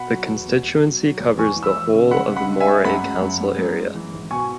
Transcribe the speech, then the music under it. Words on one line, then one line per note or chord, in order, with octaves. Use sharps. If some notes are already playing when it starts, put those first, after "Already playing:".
The constituency covers the whole of the Moray council area.
Already playing: B2 F#5 B5
F#3
E2
B2
B2
F#3
F#3
E2
E3 G#5 C#6
E3
B5 E6
E3
C#3
G#3 F#5 B5
C#3
F#5 B5
G#3
E5 G#5
G#3
F#2 F#5 B5
F#2
F#2
F#2
F#2
G#3
E3
G#1
B2 G#5 C#6